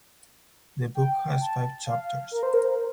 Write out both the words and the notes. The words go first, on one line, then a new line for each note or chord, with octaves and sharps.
The book has five chapters.
G5
A5
F5
A#4
C5
A#4